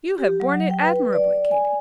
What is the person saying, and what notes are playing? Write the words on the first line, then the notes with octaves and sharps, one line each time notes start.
You have borne it admirably, Katy.
G4
F#3
G5
B4
D5
G#5